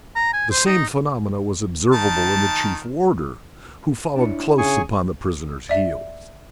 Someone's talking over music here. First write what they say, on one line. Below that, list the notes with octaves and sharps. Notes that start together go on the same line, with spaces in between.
The same phenomenon was observable in the chief warder, who followed close upon the prisoner's heels.
A#5
G#5
C5
D#4
D#3 A5
D4 E4 C#5
C#3 G#4 G#5 C#6
D5 E5